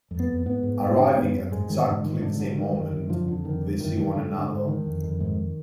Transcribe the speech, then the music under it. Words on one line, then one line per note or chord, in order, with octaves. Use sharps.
Arriving at exactly the same moment, they see one another.
F2
B3
F2
G#2 B3
G#2
G#2
D3 D4
F#2 B3
F#2
G#2 G#3
G#2 D#3
G#2 D3
G#2 D#3
G#2 D3
G#2 D3
D3 D#3
F#2
F#2
D3 F3
F2 D3
F2 D#3
D3
F#2 D#3
F#2 D#3
G#2 D3
G#2
D3
G#2
D3 D#3
F2
F2
G#2